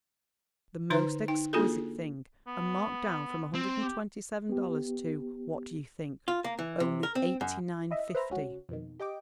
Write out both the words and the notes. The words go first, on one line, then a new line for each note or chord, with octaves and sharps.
The most exquisite thing, and marked down from a hundred and twenty-seven dollars to--what do you think?--only eighty-nine, fifty!
D3 D#4 B4 C5 A#5 C6
D#4 G5
A#3 D4 F4 F#4 G#4 A4
B3
C4
G4
B3 G4
F4
A#3
E3
C3
A#4
C4
F#2
E4 D#5 E5
B4 C5 E5 A#5
C#2 C#4 F#4
F2 B2 D#3
G4 D#5 G5 D6